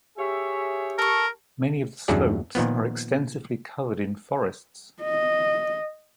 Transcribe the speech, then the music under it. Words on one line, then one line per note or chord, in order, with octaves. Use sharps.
Many of the slopes are extensively covered in forests.
G4 G#4 C#5 E5
A4 A#4 C#6
E2 G2 C#3 F#3 G#4 D5
A#2 D#3 F3 B3
D#5